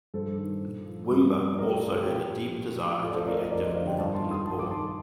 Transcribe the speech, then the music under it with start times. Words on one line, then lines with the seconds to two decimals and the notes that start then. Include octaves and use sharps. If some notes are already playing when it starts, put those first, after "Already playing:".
Wimber also had a deep desire to be active in helping the poor.
0.14 G2 A4 C5
0.38 D#3
0.62 A#2
0.86 F3
1.11 G2
1.34 F3
1.58 A2 A#4 D5
1.70 G4 A#4
1.82 F3 F4 A4
1.95 G4
2.07 A#2 G4
2.31 F3
2.54 A2
2.79 F3
3.02 A2 F4 A4
3.10 D5
3.14 A4 C5
3.26 F3 A#4 D5
3.38 C5 D#5
3.50 F2 A#4 D5
3.63 C5 D#5
3.75 D3 F3 D5 F5
3.87 D#5 G5
3.98 G2 F5 A5
4.14 A5 C6
4.22 D#3
4.30 C6 D#6
4.47 G2 A5 C6
4.59 D6
4.71 D#3 A5 C6